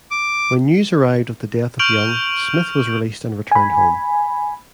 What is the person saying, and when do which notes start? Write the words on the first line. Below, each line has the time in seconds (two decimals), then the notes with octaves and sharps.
When news arrived of the death of Young, Smith was released and returned home.
0.11 D6
1.79 C#6 F6 G6 D7 F7 F#7
3.52 G#5 B5